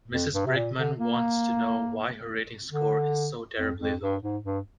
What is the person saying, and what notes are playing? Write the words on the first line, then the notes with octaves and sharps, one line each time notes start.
Mrs Brickman wants to know why her rating score is so terribly low.
F2
G2
C3
A#2
D3
A#3
D3
F2
F2
G2
G#2
G2